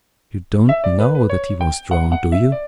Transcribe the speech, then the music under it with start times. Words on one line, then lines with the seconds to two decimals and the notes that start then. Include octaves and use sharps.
You don't KNOW that he was drowned, do you?
0.69 E5
0.84 D5
1.00 B4
1.15 B4
1.30 C#5
1.61 G5
1.91 F#5
2.12 F#5
2.32 E5
2.52 D5